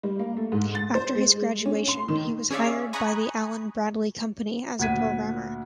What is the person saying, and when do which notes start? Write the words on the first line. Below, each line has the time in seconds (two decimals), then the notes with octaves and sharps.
After his graduation, he was hired by the Allen-Bradley company as a programmer.
0.03 G3
0.19 A#3
0.37 A3
0.52 G#2
0.75 A6
0.95 C5
1.15 G#3
1.66 C#4
1.87 C6
2.08 D#3
2.51 C#4 G#4 C#5 D5 E5 F5
2.93 G#5 A#5 B5 C#6 D#6 F#6
4.79 D2 A#2 F#5 G#6 B6 D#7